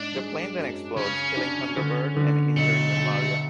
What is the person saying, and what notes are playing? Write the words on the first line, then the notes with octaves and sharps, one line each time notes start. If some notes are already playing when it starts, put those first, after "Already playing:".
The plane then explodes, killing Thunderbird and injuring Nefaria.
Already playing: G#2 D4
G#3
F#2
C#3 C#4
D4
D3
D3
B1 A3
B1